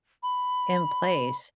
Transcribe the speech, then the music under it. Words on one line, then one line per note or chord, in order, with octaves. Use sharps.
in place
B5